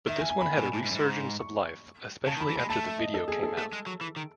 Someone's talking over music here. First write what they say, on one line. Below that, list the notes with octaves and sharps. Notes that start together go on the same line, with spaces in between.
But this one had a resurgence of life, especially after the video came out.
D#3 E5
G#5
G#5
B5
A2
B2
A2
G#2
F#2
G#2
C#6
C#3 A5
D#3
B5
E3
G#3 B5
A3 A5
E5
D#5
A4
G#4
A4
A3 A4
G#3
F#3
E3
D#3